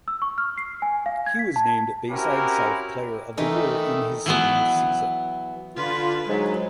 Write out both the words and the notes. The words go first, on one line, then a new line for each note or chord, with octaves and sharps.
He was named Bayside South Player of the Year in his senior season.
E6
C#6
F6
C7
G#5
F5
G#6
B6
A5
C4 C#4 E4 F#4 G4 A#4
D#3 E3 A3 D#4
E3 F#3 B3
D3 F4 B4
G#2 F#3 G#3